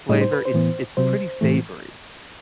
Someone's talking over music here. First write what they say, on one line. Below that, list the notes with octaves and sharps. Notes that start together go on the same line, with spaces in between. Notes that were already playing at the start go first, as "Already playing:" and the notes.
flavor. It’s it’s pretty savory,
A2 G3 D#4 D#5
C5
B4
C5
A2 E3 B3
C3 F#3 C4 C5
A2 E3 A3